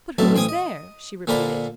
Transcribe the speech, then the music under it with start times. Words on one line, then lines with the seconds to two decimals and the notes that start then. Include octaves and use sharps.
"But who is there?" she repeated.
0.18 B1 A2 F#3 E5 A5
0.35 A1 C5 G5 G#5 D#6
0.49 D#5
1.27 A#2 D3 D4 A#4 C5 B5